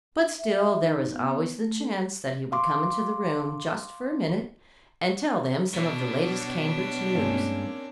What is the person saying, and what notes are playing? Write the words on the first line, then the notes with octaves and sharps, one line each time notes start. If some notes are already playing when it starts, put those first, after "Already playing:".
But still there was always the chance that he would come into the room just for a minute, and tell them some of the latest Cambridge news.
E5
E5
D#4
B3
A3
A4
F5 C6 D6
B2 D4 C#5
G2 G#3 A#3 C4 C#4